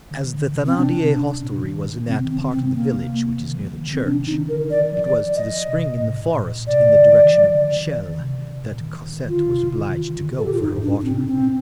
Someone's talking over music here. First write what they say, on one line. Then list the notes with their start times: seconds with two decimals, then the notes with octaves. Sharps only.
As the Thenardier hostelry was in that part of the village which is near the church, it was to the spring in the forest in the direction of Chelles that Cosette was obliged to go for her water.
0.11 D3
0.24 D#3
0.33 D3
0.55 C3
0.66 C4
0.76 C3 D4
0.99 C3
1.21 C3
1.43 A#2
1.64 D#3
2.08 C3 C4
2.24 D#3
2.30 C4
2.41 D3
2.52 C4
2.57 C3
2.74 A#3
3.39 D#3
3.55 F3
3.72 D#3
3.88 D3
3.93 C4
4.05 C3 D4
4.27 D#3 D#4
4.48 D3 A#4
4.70 D#3 D5
4.92 F3
5.03 D5
5.36 D#5
5.69 C3
6.01 A2
6.24 A#2
6.45 A#2
6.67 C3 D5
6.88 D3
7.11 D#3
7.33 F3
7.55 D3
7.77 D#3
7.98 D#3
8.20 C3
8.64 A#2
8.81 D#3
8.97 D#3
9.13 D#3
9.29 D3 F4
9.47 C3
9.63 C3
9.79 D#3
9.95 D#3
10.10 D#3
10.17 D3
10.38 A#2 A4
10.46 G4
10.53 F4
10.61 G2 D#4
10.77 A2
10.82 D4
10.94 A#2
11.01 D4
11.05 C4
11.11 C3
11.26 A#2 C4